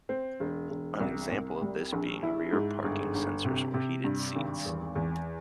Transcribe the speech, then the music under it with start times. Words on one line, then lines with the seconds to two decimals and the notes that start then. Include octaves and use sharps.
An example of this being rear parking sensors or heated seats.
0.09 C4
0.40 E1
0.70 E1
1.00 C2
1.32 C2
1.62 G3
1.93 A#1
2.23 E4
2.53 G#2
2.83 G1
3.14 G1
3.45 C3
3.74 C3
4.04 G2
4.35 G#1
4.65 E2
4.95 E2